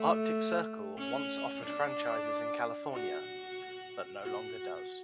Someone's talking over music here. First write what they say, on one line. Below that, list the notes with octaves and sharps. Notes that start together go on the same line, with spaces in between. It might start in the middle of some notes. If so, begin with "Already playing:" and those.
Arctic Circle once offered franchises in California, but no longer does.
Already playing: A3
C#4
D4
F#4
F#4